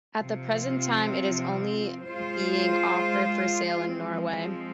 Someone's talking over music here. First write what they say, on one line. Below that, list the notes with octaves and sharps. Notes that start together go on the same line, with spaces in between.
At the present time, it is only being offered for sale in Norway.
C3 F3 C4 F4
G#3 F4 C5
F3 G#3 C4